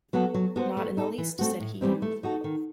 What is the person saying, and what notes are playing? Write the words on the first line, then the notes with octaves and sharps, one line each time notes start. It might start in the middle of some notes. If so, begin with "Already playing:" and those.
"Not in the least," said he.
F#3 B3 F#4 A4
F#3
B3 F#4 A4 C5
A3
D#4 A4
E3
A3 C4 F#4
A2
E3 G3 C4 D#4
A3
D#4 F#4 A4
D#3